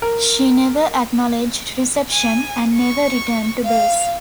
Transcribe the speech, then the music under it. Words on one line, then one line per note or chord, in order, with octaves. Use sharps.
She never acknowledged reception, and never returned to base.
A#4
G#5
C#6
F5